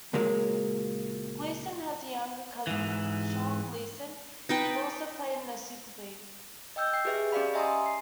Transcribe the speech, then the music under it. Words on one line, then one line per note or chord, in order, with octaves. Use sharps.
Gleeson has a younger cousin, Sean Gleeson, who also played in the Super League.
C#2 A#2 F#3 G#3 A#3
G#2 E3
D#4 B4 G5 A5
D#5 G5 E6 G6
G5 C7
G4 G#4 B4 E5
C#4 G4 D5 F5 B5
D#5 E5 G#5 A#5 C6 D#6
C7